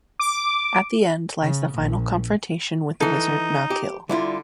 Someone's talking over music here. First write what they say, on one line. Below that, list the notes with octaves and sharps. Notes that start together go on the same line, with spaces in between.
At the end lies the final confrontation with the wizard Malkil.
D6
C#3
A#1
E3 D#4 A4
G4
D3 G3 E4 F4